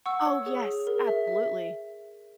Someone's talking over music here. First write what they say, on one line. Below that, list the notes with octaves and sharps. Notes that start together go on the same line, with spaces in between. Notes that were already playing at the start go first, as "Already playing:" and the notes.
Oh, yes, absolutely.
F#5 C#6 E6
C#5
G#4
G#4
A#4
E5
E5